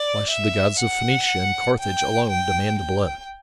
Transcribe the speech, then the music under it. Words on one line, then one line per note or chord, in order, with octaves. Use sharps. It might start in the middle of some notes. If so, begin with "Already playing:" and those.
Why should the gods of Phoenicia and Carthage alone demand blood?
Already playing: D5
E5
F#5
G5
G5
G5